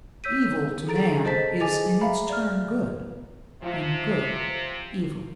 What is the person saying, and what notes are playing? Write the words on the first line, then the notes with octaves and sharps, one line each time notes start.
Evil to man is in its turn good, and good evil.
C#5 E6 G6 B6 D#7
G#4 A4 A#5 A6 D7
C5 D#5 A5 A6 B6
G#4 D#5 G#5 D6 A6 F7
E5 F5 A#5 B5
D5 F6
C3 F3 F5